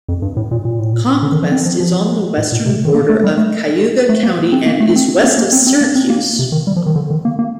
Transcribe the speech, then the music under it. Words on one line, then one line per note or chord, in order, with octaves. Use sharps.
Conquest is on the western border of Cayuga County and is west of Syracuse.
F2
G2
A2
A#2
A#2
A2
A#2
D3
D#3
F3
C4
F3
F3
A2
A#2
C3
D#3
A#3
A3
G3
A3
A3
A#3
C4
A#3
A3
C4
A#3
A#3
C4
C4
A#3
C4
A#3
C3
D#3
G3
F3
D#3
D3
D#3
A#3
A#3